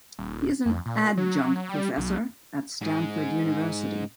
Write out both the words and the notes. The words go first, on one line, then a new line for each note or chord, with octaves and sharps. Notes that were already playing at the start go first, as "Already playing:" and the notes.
He is an adjunct professor at Stanford University.
D#1
F2
A#2
F#3
G3
B1
G#2 G#3